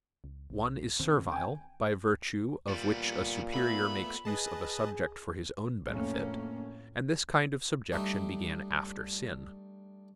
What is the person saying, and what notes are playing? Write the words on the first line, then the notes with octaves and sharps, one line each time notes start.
One is servile, by virtue of which a superior makes use of a subject for his own benefit; and this kind of subjection began after sin.
C#2
B1
E1 D#3 C4 C#4
G5 G#5
A#2 G3 B3
A3 B3 E5 B5
G#4 B4 D#5 A5
F2 A2 A3 A#3 C#4
G3 A3 D4 D#4